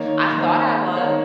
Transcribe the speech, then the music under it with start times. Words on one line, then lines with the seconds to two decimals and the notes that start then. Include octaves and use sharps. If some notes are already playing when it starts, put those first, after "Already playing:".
I thought I was.
Already playing: D#3 A#3 C#5
0.38 D#3 A#3 C5
0.93 C5
0.97 D#3 A#3 C#5